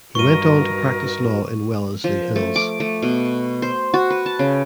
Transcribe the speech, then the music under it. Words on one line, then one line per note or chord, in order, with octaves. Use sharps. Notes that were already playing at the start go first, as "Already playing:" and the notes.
He went on to practice law in Wellesley Hills.
G2 D#4 F#4 A#4 B4 C#6 D#7
F3
A3
D6
A3
B2
C5
F#4
B4
A5
C#3